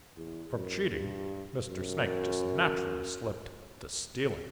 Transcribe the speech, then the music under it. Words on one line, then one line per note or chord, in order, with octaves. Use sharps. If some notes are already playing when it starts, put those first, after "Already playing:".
From cheating, Mr. Snake just naturally slipped to stealing.
E2
F#2
G2
F#2